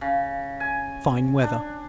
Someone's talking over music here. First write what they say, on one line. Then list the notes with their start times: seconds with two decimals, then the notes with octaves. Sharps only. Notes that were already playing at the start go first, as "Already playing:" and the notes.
Fine weather.
0.01 C#3
0.60 G#5
1.43 D4